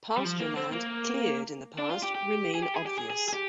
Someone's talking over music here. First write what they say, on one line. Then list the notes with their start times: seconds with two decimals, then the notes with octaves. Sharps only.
Pasture land cleared in the past remain obvious.
0.17 G3
0.24 F3
0.40 A#3
0.56 C4
0.72 A#3
1.79 D4
1.90 F4
2.03 G4
2.15 G4
2.55 G#4
2.63 G4
2.74 G#4
2.86 G4
2.98 G#4
3.10 G#4
3.29 G#4
3.34 G4